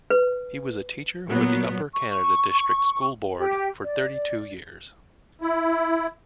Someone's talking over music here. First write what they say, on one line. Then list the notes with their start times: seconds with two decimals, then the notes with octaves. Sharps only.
He was a teacher with the Upper Canada District School Board for thirty-two years.
0.10 B4
1.28 A#2 F#3 B3
1.95 C#6
3.38 G4
3.83 D5
5.42 E4